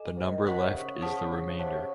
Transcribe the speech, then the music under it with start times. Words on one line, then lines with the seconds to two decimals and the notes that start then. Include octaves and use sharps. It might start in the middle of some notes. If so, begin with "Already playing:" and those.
The number left is the remainder.
Already playing: A4 D#5 G#5
0.16 G#2
0.30 D#3
0.44 D#3 F#5 C#6 F#6
0.59 C3
0.73 C#3
1.02 G#4 C5 F#5 A5 D#6
1.31 C#3
1.59 C3 C#5 F#5 A5 C#6
1.74 C#3